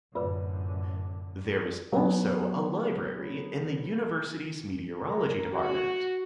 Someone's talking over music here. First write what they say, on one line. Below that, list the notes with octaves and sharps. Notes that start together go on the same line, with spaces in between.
There is also a library in the University's Meteorology department.
F#2 A2 D3 F4 B4 D5
F#3 B3
A#4
F#4